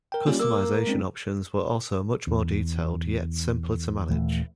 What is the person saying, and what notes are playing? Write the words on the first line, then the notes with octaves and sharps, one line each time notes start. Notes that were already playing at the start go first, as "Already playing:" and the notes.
Customisation options were also much more detailed yet simpler to manage.
A#4 G5
G3 A#3 C#4 F4
A#3 D6 E6
G#3 C4 D4
E2
D#1 E3 A3